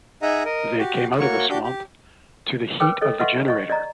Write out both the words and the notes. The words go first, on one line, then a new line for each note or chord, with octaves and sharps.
They came out of the swamp to the heat of the generator.
D#4 G#4 D#5 E5 F#5 A#5
A#4 D#5
F#4 G4
A#3 F#4 C#5 C#6
D4 F#4 G4 G6
G4
A#4 B4 C#5 G5 D6
A4 C#5 D#5
B4 D#5 E5 F#5 C6 C#6
D#5 C#6
D5 D#5 A#5